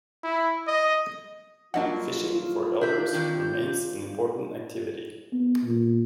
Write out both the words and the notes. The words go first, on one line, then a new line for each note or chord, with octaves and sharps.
Fishing for elvers remains an important activity.
E4
D#5
G2 F#3 A#3 D4 F4 D#5 F#5
D4 A#4 E5 G6
D#3 C4 D4
B3
A#2